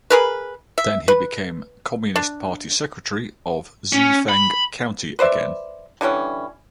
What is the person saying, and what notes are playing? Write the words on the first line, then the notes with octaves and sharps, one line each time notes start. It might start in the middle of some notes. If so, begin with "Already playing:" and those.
Then he became Communist Party Secretary of Xifeng County again.
G#4 A#4 B4
E5
B4
D4
C#4
B5
B4 C5 D5 E5
D3 E3 G3 C#4